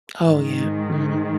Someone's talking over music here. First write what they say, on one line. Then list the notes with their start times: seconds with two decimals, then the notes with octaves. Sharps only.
Oh yeah, mhm.
0.22 G#2 D#3 G#3